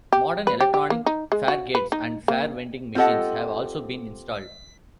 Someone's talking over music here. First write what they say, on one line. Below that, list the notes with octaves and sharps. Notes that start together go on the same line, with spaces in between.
Modern electronic faregates and fare vending machines have also been installed.
G4
B4
G4
G4
A#3
D#4
G#3
F#4
B4
D#4
A#3
C4 F4 G4 A4 D#5 F#5